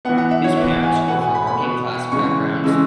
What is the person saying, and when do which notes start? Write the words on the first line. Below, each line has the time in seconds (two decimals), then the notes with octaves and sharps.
His parents were from working class backgrounds.
0.05 B3 F#5
0.09 E3
0.18 F#5
0.31 E5
0.44 C#5
0.57 E3 B3 E5
0.70 F#5
0.83 G#5
0.96 E5
1.08 B2 B3 F#5
1.22 G#5
1.34 B5
1.47 B5
1.60 B2 B3
2.12 C#3 E3 G#3 C#4 C#6
2.64 C#3 E3 G#3 C#4 E6